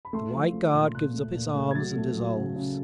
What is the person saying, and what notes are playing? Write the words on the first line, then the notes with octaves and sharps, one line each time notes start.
The White Guard gives up its arms and dissolves.
B5
A3 C6
F3
A3
A#2
A#2 F#6
A3
A#2
A3
G#6
F#3 A6
A3
F#3
C#3
C#3